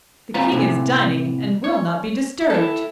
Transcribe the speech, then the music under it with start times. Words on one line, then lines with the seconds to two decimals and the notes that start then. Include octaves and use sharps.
The King is dining, and will not be disturbed.'
0.34 C4 F4 B4 C#5 A#5
0.52 A2 C3 E3
1.64 C#5
2.50 E4 A4